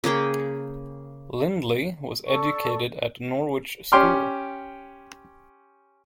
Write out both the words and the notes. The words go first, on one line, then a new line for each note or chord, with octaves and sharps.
Lindley was educated at Norwich School.
C#3 A#3 G#4 G5
A4 D5 C#6
C#4 G4 G5 C6 D6 F6